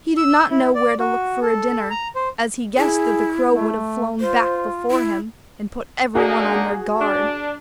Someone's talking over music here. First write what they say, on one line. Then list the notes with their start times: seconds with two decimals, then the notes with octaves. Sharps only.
He did not know where to look for a dinner, as he guessed that the crow would have flown back before him, and put every one on their guard.
0.17 E6
0.50 E4
0.75 D5
0.99 F#4
1.42 A4
1.90 A#5
2.15 C5
2.77 E4 G#4
3.53 A3
4.20 F4 C5
4.90 E4
6.15 A#3 D4 D#4 F#4 G#4
7.00 D4